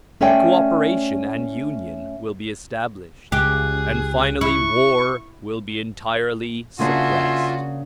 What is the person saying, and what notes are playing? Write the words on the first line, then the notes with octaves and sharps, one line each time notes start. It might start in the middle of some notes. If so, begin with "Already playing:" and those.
Cooperation and union will be established, and finally war will be entirely suppressed.
A3 C#4 C#5 D5 G5
C#2 G4 G#4 F#6
E4 C#6
C#3 A#3 D4 F4 F#4 E5 G#5 C6